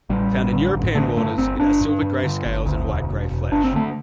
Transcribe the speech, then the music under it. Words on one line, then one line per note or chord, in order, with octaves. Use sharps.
Found in European waters, it has silver grey scales and white-grey flesh.
A1 G3
A1
D3
A1
D3 A3
G2 A3
G1 C4
G1 D4
G2
G2
D3
G1
D2
E1
E1
E1
G1 D4
C4
D3 A3